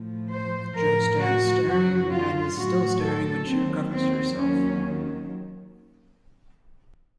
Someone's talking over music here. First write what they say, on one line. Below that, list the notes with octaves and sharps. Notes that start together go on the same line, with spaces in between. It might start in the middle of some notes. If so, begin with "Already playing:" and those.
Jo stands staring, and is still staring when she recovers herself.
Already playing: A2 F3
C5
A2 F3 A#4
F#4
F#2 C#3 F#3 F#4
F4
A2 F#3 F#4
A4
D#2 D#3 F#3 C4
C4
D#2 D#3 F#3 C#4